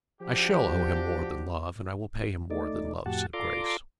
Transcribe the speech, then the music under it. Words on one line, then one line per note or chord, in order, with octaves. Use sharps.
"I shall owe him more than love, and I will pay him more than love," said Grace.
F3 D4 F#4 G4
A3 D#4 D5
F2 A2 F#4 G4 F#5 A5
F4 A4 D5 A#5 C6 D6